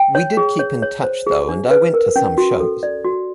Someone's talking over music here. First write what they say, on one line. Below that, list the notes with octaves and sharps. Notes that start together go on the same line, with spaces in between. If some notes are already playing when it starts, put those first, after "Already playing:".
We did keep in touch though and I went to some shows.
Already playing: G5
C#5
G#4
C#5
C#5
C5
G#4
D4
B4
A#4
C#4
F#4
A4
D5
F#4